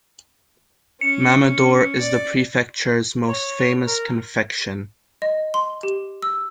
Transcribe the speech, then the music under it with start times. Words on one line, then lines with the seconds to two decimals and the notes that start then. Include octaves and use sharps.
Mamador is the prefecture's most famous confection.
1.01 C#4 C#7
1.99 D5
3.29 C#5
3.87 A#4
5.22 D#5
5.54 C6
5.83 G4
6.22 E6